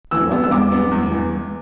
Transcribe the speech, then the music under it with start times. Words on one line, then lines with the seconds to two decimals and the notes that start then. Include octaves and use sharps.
I love one man here.
0.11 E3 E6
0.31 B3
0.44 E6
0.51 E2 D6
0.72 B3
0.91 E2
1.11 E3